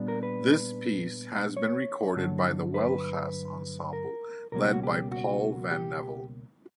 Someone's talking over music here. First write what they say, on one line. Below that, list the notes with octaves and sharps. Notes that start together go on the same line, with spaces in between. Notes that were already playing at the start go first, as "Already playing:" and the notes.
This piece has been recorded by the Huelgas Ensemble, led by Paul Van Nevel.
Already playing: A#2 G3 B3 D4
A#4
B4
C#5
G2 D3 F#3
B4
A#4
C#2 B2 G3 A#3 C#4 A#4
G4
F#4
G4
F#4
G4